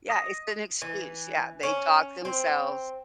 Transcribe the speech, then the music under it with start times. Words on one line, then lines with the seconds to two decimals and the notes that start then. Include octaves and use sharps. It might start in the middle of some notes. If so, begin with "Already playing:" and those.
Yeah, it's an excuse, yeah. They talk themselves
0.10 D#5
0.82 E3
1.63 C#4
2.25 C4